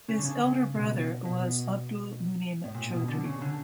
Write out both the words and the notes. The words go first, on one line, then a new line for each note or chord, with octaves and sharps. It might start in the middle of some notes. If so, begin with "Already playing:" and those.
His elder brother was Abdul Munim Chaudhury.
C#3
D3
C#3
B2
B2
A2
A#2
B2
D3
C#3
D3